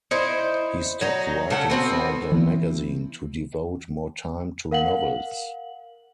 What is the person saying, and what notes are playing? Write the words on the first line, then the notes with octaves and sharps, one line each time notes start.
He stopped writing for the magazine to devote more time to novels.
D#4 E4 C5
F#3 D#4
C#3 A4 F#5
B3 C4 F#4
E3 B3
A#4 F5 F#5 F#7